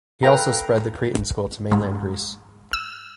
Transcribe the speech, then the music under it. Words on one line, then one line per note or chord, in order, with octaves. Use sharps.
He also spread the Cretan School to mainland Greece.
A4 B4 F5 G5 A#5
G#2
E6